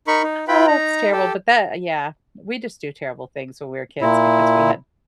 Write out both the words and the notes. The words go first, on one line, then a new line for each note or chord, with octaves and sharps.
Oh, that's terrible, but that yeah, we just do terrible things when we're kids because we had
D#4 A#4 B5 C#6
D#4
E4 F4 B4 G5 B5
D#4 A#5
G4 A4
A#2 E4